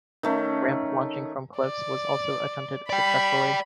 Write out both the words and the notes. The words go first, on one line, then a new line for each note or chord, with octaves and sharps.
Ramp launching from cliffs was also attempted successfully.
D#3 A3 C#4
D5
D5 G5 B5